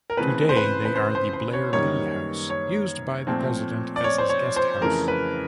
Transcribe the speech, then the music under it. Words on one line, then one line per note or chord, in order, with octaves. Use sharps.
Today they are the Blair-Lee House, used by the President as his guest house.
A#4
C#3 E3 A3 C4 B4
C5
B4
B4
C5
C5
C5
C#5
F#2 D#3 G3 A#3 C#5
C#5
A#2 F3 A3 C4
D5
C#5
C5
C#5
C5
F2 C#3 E3 A3 A#4
B4